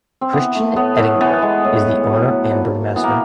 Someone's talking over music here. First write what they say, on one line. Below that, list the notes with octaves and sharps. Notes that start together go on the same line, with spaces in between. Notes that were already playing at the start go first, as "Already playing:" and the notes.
Christian Ettinger is the owner and brewmaster.
C4
E3 B3
A3
A2 B3
A2
E3 B3
G#3
A2
A2
F#3
A3
A#2
A#2
E3 B3
A#3